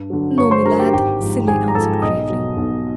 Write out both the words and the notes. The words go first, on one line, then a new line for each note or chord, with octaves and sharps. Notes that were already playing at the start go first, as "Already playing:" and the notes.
"No, me lad," Cilley answered gravely.
Already playing: G2
D3 F#3
G2 C#5 C#6
C5 C6
D3 F#3 A#4 A#5
G4 G5
G#1 G4 G5
G#2 F3
G#1 G#4 G#5
A#5
G#2 F3 A4 A5
B1 D#5 D#6
B2 F#3
B1